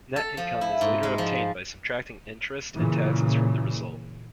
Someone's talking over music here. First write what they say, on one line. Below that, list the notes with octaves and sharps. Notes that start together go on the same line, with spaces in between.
Net income is later obtained by subtracting interest and taxes from the result.
A4
F3
E4
G#2
G#3
F3
A#2 C#3 E3